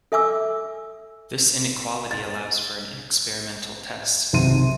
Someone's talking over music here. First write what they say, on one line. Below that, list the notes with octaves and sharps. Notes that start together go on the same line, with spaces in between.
This inequality allows for an experimental test.
A4 E5 G#5 D6 E6
A6
B1 C3 D#3 C6 D#7